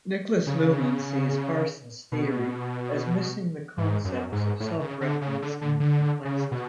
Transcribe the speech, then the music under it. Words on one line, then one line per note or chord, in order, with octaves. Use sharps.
Niklas Luhmann sees Parsons' theory as missing the concepts of self-reference and complexity.
C#3
B2
G#2
F#2
G#2
A2
C#3
D3
C#3
D3
D3
D3
C#3
B2